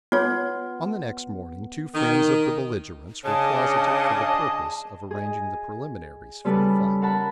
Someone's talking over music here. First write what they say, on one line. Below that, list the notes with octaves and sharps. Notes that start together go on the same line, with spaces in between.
On the next morning, two friends of the bellige-rents were closeted for the purpose of arranging the preliminaries for the fight.
B3 F4 C#5
D#3
C#3 D4 G#4 D#5 A5
G#4 D#5
C#3 G3 B3 A4 B4 F6
A#4 F#5 A5 B5